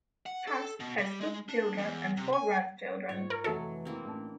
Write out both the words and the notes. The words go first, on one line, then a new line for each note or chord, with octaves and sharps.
Tass has two children and four grandchildren.
F#5
A4
B2
G3
G#3
D4
E2
C3
G#5
G#2 F4 C#5 A6
A#4
F1 E3 F#3 E4 A4 B4
E3 A#3 C4
A1 D4 A5